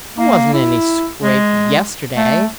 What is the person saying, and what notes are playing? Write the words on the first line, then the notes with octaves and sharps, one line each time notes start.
"I wasn't in any scrape yesterday."
A#3
E4
G#3
A3